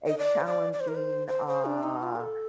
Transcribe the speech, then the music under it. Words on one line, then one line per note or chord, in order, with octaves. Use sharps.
a challenging, uh
D#5
D5
C5
D5
D5
C5
A#4
C5
C5
C5
D4
D#4
F4
A#4
A4